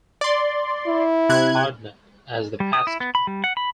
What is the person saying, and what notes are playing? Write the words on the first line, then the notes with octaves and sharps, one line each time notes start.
Hodnett as the pastor.
D5 C6
E4
C3 F#6 G#6
G3
D#6
E4
B3
B5
G3
F#5
B5